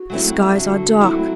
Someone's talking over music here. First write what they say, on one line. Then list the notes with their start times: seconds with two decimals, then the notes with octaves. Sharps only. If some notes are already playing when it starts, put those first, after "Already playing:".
The skies are dark!
Already playing: F#4
0.10 F#3 A3 C4 E4
0.56 D3
1.01 F#3 A3 C4 E4